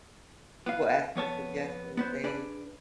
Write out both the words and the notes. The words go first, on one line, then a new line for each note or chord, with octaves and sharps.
people ask for suggestions, they
B3 F5
F2 B3 C#5 A5
B3 B4 C5
D4 G#4 B4 D5